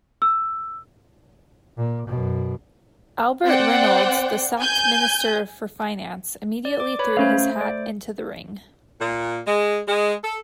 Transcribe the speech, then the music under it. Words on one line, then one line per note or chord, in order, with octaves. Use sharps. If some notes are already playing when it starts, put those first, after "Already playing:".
Albert Reynolds, the sacked Minister for Finance, immediately threw his hat into the ring.
E6
A#2
F#2 B2
C4 C5 D5 F#5 G5
G#5 G6
D5
D6
B4 C#5 B5
A3 C#4 C5 F5
D5
A#2
G#3
G#3
A4